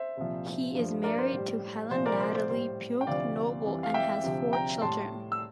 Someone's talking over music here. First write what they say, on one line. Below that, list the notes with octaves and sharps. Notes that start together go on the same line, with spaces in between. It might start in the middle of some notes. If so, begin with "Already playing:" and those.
He is married to Helen Natalie Pugh Noble and has four children.
Already playing: C5 E5
C2 A#2 F3
G2 F3
A#4 D5
C5
A2 G3
C2 A#2 F3 C5
A#4 D5
C5
C5
A2 G3 C5
G5
D2 C3 F3 D5 F5
F2 E3 G3
F5
E5 G5
D2 C3 F3
G5 A#5
A2 G3 A5 C6
E6